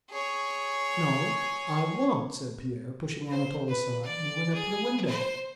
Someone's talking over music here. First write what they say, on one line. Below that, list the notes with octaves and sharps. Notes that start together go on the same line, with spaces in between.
"No, I won't," said Pierre, pushing Anatole aside, and he went up to the window.
G#4 C#5
C5
B4
D5
G#4
C5